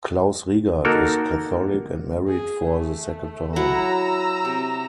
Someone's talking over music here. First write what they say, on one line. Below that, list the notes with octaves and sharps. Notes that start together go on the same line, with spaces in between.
Klaus Riegert is Catholic and married for the second time.
A#3 D#4 F#4 A4 A#4
G#4
A3
F#3 E4 F#5 A#5 E6
C3